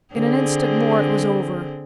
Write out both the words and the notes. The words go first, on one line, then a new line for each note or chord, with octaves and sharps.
In an instant more it was over.
D3 C4 G#4